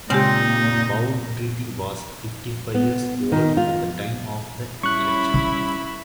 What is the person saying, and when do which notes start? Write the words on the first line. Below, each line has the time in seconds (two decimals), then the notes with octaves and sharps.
Poudrette was fifty-five years old at the time of the election.
0.10 A#2 C#3 G#3 C4 D#4 G4
2.74 B3
3.32 D#3
3.57 F4
4.83 G3 C#4 E4 B5 C#6 F#6